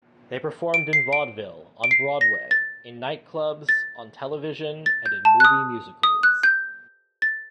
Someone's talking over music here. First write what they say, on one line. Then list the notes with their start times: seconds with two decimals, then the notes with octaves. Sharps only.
They performed in vaudeville, on Broadway, in nightclubs, on television, and in movie musicals.
0.74 D7
0.93 C7
1.13 D7
1.84 D7
1.91 C7
2.21 A#6
2.51 A6
3.69 A6
4.86 A6
5.06 G6
5.25 A5
5.40 F#6
5.45 D#6
6.03 D#6
6.23 F#6
6.43 G6
7.22 A6